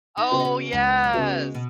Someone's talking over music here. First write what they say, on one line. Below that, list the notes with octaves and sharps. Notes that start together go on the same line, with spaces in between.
Oh, yes.
D#4
C#3 B3 F#4
D#4
C#4
C#2 C#4
F#3
C#3 G#3 B3 F#4
B2